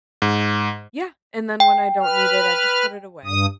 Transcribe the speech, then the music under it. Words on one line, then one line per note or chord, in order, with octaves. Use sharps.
Yeah, and then when I don't need it, I just put it away.
G#2
G5
B4 F6
G2 D#6